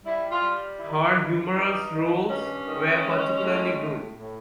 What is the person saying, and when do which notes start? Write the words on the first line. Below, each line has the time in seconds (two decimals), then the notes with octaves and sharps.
Her humorous roles were particularly good.
0.05 G3 E4
0.31 F4
0.43 G3
0.79 D#3 E4
1.17 G2
1.54 G2 D#4
1.93 D#3
2.29 G2 C#4
2.67 D#3
3.05 G#3
3.42 A2
3.79 A2
4.16 A2